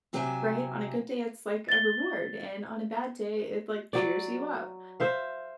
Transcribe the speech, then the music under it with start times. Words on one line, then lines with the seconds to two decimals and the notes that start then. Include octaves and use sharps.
Right? On a good day, it's, like, a reward, and on a bad day, it, like, cheers you up.
0.13 C3 F#3 G4 E5 F5 G#5
1.69 A6 G7
3.93 F#3 D5
5.00 C5 E5 F5